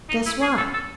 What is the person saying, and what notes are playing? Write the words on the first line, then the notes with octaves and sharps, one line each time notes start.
Guess why?
D#4
E4
G#4
A4
A4